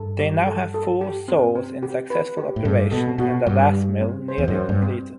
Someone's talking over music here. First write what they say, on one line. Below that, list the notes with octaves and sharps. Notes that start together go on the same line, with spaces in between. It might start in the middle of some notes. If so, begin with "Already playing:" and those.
They now have four Saws in successful operation and a Lath Mill nearly completed.
Already playing: G2 A4
G3
A4
A4
G4
C4
C4
G4
B4
G4
A2
G2 A4
B2 A4
B2 F#4
G2 G3
G3
C4
C5
E2
F#2
C5
G2
C4